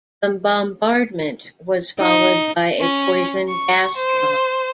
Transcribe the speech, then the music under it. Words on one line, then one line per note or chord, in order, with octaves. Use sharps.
The bombardment was followed by a poison gas drop.
D#4
C#4
C#6
C5